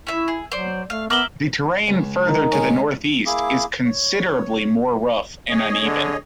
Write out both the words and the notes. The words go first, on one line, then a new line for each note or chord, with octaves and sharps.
The terrain farther to the northeast is considerably more rough and uneven.
C#4 E4 E5
G#4
F#3 C5 D5
A3 F5
A#3 B3 E5 D6 F6 F#7 G7
C#2
D#3 D#4
C#2 G#3 C#4
A#3 E4 G#4 D6
C#5
G#4 C#5 D#5
D3